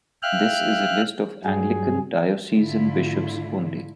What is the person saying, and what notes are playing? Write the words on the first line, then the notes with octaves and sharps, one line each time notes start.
This is a list of Anglican Diocesan Bishops only.
E5 F5 G5 F6 F#6
G2 F#3 G#4
G#2 D3 A3 E4 F4